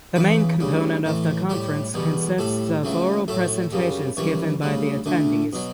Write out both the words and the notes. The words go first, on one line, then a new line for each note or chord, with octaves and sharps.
The main component of the conference consists of oral presentations given by the attendees.
E2 C#3 E3 B4
D2 C#3 G3
A2 E3 A3
A2 G3 G4
E2 B2 G3
A2 G3 A4
C#2 C#3 F#3 A3
A2 F#3 A3 A4
F#2 C#3 G3
F#2 E3 G3 C#5
D2 C#3 G3
D2 D3 A3
B2 F#3